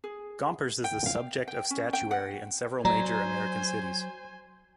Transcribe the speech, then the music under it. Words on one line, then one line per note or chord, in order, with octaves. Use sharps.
Gompers is the subject of statuary in several major American cities.
G#4
G5
F5
G5
C#4
G5
F#5
F#3 C5 D5 G#5 A#5